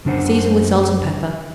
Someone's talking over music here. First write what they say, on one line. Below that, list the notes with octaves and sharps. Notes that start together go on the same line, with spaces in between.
Season with salt and pepper.
F#2 C#3 D4 C5 F#5